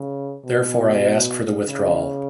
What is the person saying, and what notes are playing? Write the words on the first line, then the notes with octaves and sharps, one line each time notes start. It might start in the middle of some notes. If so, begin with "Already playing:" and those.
Therefore I ask for the withdrawal.
Already playing: C#3
B2
C#3